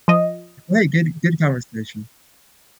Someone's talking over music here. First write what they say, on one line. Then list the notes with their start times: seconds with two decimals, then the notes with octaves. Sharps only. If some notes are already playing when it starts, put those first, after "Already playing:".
hey, good good conversation.
0.08 F3 D#5